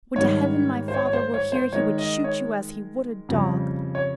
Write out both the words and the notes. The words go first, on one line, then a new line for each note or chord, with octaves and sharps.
Would to heaven my father were here, he would shoot you as he would a dog!
G#2 D#3 G3 C#5
C5
C#5
C#5
C5
C#5
C5
D#3 G#3 D#4 C#5
D#5
C#5
F2 C#3 G3
C#5